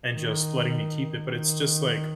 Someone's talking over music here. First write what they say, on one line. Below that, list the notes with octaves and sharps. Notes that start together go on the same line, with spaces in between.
and just letting me keep it, but it's just like,
D#3
D#3